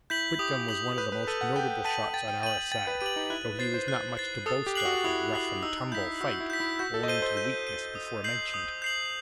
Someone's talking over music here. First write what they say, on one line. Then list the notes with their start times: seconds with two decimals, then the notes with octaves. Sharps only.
Whitcomb was one of the most notable shots on our side, though he was not much to boast of in a rough-and-tumble fight, owing to the weakness before mentioned.
0.10 E4 G6 B6 F#7
0.39 G4 D#6
0.68 G6 B6 F#7
0.98 B4 G6
1.12 B4
1.27 A4 B6 D#7 F#7
1.41 F#5
1.56 G5 G6
1.85 A5 B6 D#7 F#7
2.14 G5 A6
2.28 G5
2.43 G5 D#7
2.46 F#7
2.58 G5
2.72 G5 A6
2.87 B4
3.01 G4 D#7
3.06 F#7
3.16 D#4
3.30 E4 F#6
3.45 B4
3.59 C5 A6 C7
3.74 C5
3.88 F#6
4.17 A6 C7
4.46 A4 D#6
4.67 G4
4.75 F#6 C7 F#7
4.85 F#4
5.04 E4 D#6
5.33 F#6 C7 F#7
5.63 D#4 E6
5.92 E4 G6 B6
6.21 F#4 E6
6.40 E4
6.50 G6 B6
6.60 E4
6.79 F#4 G6
6.94 A4
7.03 D#5
7.08 C5 D#7 G7
7.22 C5
7.37 G6
7.67 D#7 G7
7.95 D#6
8.24 G6 C7 F#7
8.54 D#6
8.82 G6 C7 F#7